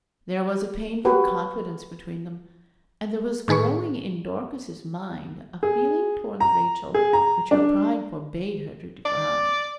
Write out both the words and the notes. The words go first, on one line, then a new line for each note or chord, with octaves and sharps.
There was a painful confidence between them; and there was growing in Dorcas's mind a feeling towards Rachel which her pride forbade her to define.
F#4 G4 B4
A2 D#3 G#4 B4 C#6
G#4
A#5
G#4
A#5
D4
D5